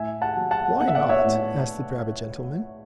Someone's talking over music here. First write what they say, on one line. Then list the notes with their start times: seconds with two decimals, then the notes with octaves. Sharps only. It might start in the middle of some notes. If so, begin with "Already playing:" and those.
"Why, not?" asked the rabbit gentleman.
Already playing: A2 E5 G#5
0.22 F#5 A5
0.37 F#3
0.51 F#5 A5
0.80 B3 F#5
0.88 E5
0.95 D5 F#5
1.09 C#5 E5
1.24 A2